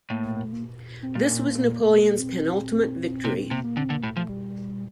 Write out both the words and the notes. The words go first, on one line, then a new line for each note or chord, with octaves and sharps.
This was Napoleon's penultimate victory.
A2 A#3
A#3
A3
A#3
C4
A#2 A#3
C4
C3 A#3
C4
C3 A#3
A#3
D3 C4
D3 A#3
A2 A3
F3 A3
G3